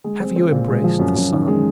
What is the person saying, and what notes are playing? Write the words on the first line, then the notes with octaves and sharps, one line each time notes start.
Have you embraced the Son?
G#3
C4
C4
A#2
G#3
F3
F#2
F#2
D#3
G#3